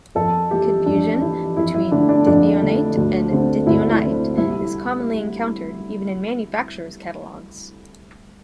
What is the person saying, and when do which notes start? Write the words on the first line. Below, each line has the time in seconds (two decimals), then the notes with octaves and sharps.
Confusion between dithionate and dithionite is commonly encountered, even in manufacturers' catalogues.
0.15 F2 A4
0.51 E3 G3 G4
0.86 F2 D4
1.21 E3 G3 E4
1.56 F2 E4
1.74 E4
1.92 D3 A3 D4
2.09 D4
2.26 F2 D4
2.62 D3 A3
2.97 D2
3.31 D3 A3 C4
3.67 D2 E4
3.91 E4
4.02 D3 A3 C4
4.37 C2 E4